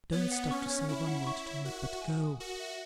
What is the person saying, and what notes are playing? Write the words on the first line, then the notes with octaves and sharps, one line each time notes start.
Don't stop to say one word to me, but go.
B3 C#5
F#5
C#4 C#6
C#5
E4 C#5
F#5
C#6
C#5
F#4 A#4
E5
G#5
D#6
F#4 A#4
E5